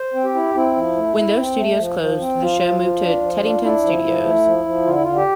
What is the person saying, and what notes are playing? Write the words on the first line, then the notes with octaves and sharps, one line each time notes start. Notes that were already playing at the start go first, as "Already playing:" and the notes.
When those studios closed the show moved to Teddington Studios.
Already playing: C5
C4
G4
E4
C4 E4
F3
A3
E4
C4
A3
F3
F3
C4
F3 F4
F3
F3
D4
F3
D4
D4 E4
F3
F3
A3
F3
F3
D3 F4
E4
D3 F4
G4